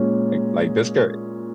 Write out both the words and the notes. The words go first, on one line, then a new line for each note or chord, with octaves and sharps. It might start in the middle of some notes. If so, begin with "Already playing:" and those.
Like like, Discor
Already playing: A#2 G#3 C#4